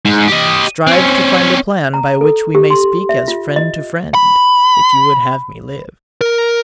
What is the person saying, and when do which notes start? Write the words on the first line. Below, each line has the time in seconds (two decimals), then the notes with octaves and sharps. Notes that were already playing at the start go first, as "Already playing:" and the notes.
Strive to find a plan by which we may speak as friend to friend, if you would have me live.
0.05 G#2
0.28 G4 D#5
0.87 C4 C#4
1.94 A#5
2.21 A4
2.55 G4
2.70 C6
3.09 E5
3.28 F4
3.56 D#5
4.15 B5
6.21 A#4